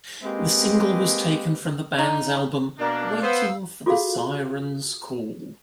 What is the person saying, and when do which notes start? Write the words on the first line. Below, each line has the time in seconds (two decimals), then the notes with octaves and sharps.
The single was taken from the band's album, "Waiting for the Sirens' Call".
0.23 G#3 A#3 C4 G4 B4 D#5
1.98 D#4
2.79 B2 A#3 D4 A#4
3.22 B3 C5 F5 E6
3.86 F4 F#4 G#4 A4 F5